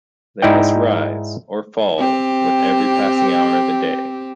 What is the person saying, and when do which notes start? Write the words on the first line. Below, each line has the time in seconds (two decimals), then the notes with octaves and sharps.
They must rise or fall with every passing hour of the day.
0.42 G#2 D#4 E4 D5 G5
1.98 C4 G4